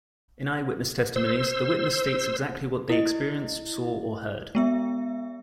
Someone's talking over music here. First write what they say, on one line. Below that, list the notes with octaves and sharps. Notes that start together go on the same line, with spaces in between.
In eye-witness testimonies the witness states exactly what they experienced, saw, or heard.
C5 E6
E4 D#5
G#3 B3 E5